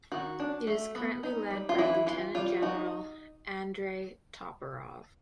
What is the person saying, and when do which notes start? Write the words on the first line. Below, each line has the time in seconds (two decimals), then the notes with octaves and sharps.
It is currently led by Lieutenant General Andrey Toporov.
0.12 D#3 F#4
0.40 D4
0.67 A3
0.95 B3
1.23 D#4
1.51 G3
1.69 F4
1.78 E3 E4
2.06 E3 F4
2.35 G3 F4
2.62 D#4 F#4